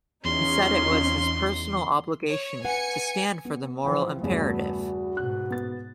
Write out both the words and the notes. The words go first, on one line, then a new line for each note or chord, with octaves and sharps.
He said it was his personal obligation to stand for the moral imperative.
E2 C#4 D#4 F4 C6
C#5
B4 F#5 G#5 C#7
B3
E3 F3 C5 G5 G#5
E2 G2 C#3 A3 B3 F#4
G#2 B2 F#6
B3 A6